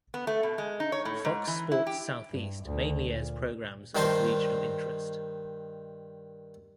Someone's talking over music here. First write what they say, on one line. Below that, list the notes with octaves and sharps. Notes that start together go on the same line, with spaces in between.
Fox Sports Southeast mainly airs programs of regional interest.
B3
A3
B2
G#3
D#4
C#5
A2
G#2
E3
E4
G4
G2
D2
A#2
G2 D#3 D#4 C5 A5 C6